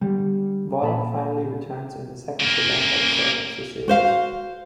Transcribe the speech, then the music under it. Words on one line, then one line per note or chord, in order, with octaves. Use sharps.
Warlock finally returns in the second-to-last episode of the series.
D3 G3
A#2 A5 B5
C#3 A#3
F#4 C5 F5